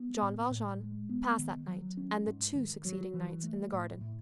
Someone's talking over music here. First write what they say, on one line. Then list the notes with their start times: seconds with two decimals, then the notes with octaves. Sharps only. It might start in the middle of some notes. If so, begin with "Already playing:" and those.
Jean Valjean passed that night and the two succeeding nights in the garden.
Already playing: B3
0.22 A2
0.51 A2
0.80 G#3
1.09 B3
1.39 D#3
1.68 F#3
1.97 C#4
2.26 G#2
2.55 D#3
2.85 F#3
3.14 E3
3.44 A3
3.73 A2
4.01 A2